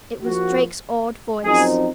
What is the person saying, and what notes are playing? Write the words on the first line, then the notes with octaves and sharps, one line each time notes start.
It was Drake's awed voice.
A#1 A#2 F3 A#3 F#4
F#2 F3 C4 D#4 G#4